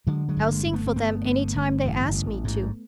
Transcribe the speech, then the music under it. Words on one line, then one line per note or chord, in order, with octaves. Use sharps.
I'll sing for them any time they ask me to.
D3 F#3 G#3
F#3 G#3
G1
G#3 A#3
G2
A3 B3
C4
G1 A3 B3
D3
G1
A1
A1
G#2